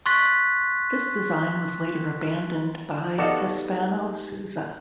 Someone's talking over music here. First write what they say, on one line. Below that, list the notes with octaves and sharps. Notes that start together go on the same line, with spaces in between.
This design was later abandoned by Hispano-Suiza.
C6 C#6 F#6 A6 B6
B3 D#4 F#4 G4 A4 D5 D#5 F5